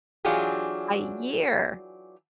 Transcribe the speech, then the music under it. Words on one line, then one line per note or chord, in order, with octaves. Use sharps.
A year.
E3 F#3 D4 F4 G4 G#4